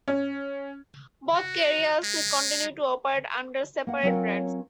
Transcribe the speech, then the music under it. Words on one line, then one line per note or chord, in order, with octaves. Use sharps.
Both carriers continue to operate under separate brands.
C#4
F#4
G#3
A#3 F#5
F#3 C4 C#4 F4 A#4 C#5